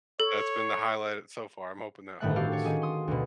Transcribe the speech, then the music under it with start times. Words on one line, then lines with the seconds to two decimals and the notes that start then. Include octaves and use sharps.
that's been the highlight so far. I'm hoping that holds.
0.20 A4 C#5
2.21 G1 A2 D#3 A3 E5 F#6
2.36 C4 F#4 G4 A4 F5
2.52 A4 C#5
2.65 D#3 C#4 G#4
2.82 C6 D#6
3.08 D2 B2